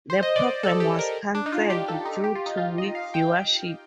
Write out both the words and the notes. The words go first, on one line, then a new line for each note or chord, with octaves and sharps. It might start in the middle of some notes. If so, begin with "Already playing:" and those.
The program was canceled due to weak viewership.
C5
D#5
D5
A4
G4
A#4
D4
D#4
F4
G4
A4
D#4
G4
F4
D#4
F4
D#5
F5
G5